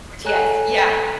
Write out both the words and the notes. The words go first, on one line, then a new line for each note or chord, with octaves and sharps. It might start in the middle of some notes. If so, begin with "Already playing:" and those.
RTX, yeah.
A4 C#5 G#5 A#5 F#6